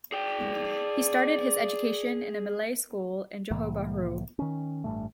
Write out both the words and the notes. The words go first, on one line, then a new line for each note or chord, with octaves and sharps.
He started his education in a Malay school in Johor Bahru.
G#4 D5 G5
C2 A2 E3 A#3
D#3 C#4
A1 G2 C#3 A3